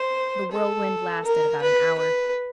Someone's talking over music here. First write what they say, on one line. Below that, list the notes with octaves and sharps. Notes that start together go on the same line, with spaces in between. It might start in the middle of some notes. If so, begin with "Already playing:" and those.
The whirlwind lasted about an hour.
Already playing: C5
A4
A#4
B4
B4